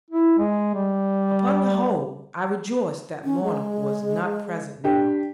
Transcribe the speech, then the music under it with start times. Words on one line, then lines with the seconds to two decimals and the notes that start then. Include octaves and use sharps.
Upon the whole, I rejoiced that Lorna was not present now.
0.10 E4
0.38 G#3
0.74 G3
3.24 C#4
3.44 G#3
4.84 D4 G4